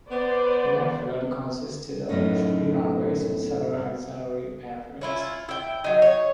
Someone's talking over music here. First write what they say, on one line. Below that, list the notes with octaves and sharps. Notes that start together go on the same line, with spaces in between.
The airfield consisted of three runways and several auxiliary airfields.
B3 B4 C5 D5
F#2 A2 A3 C#4 D#4
C#4 E4 F4
E4 G5
F#3 D#4
C#5